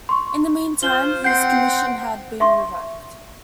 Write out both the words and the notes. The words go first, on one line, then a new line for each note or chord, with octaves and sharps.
In the meantime, his commission had been revoked.
C6 C#6
F4 C5 G6 G7
C4 F#5 G5 G6 C7
E5 C6 C#6